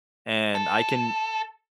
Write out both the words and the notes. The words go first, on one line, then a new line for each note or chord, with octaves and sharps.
And I can
A4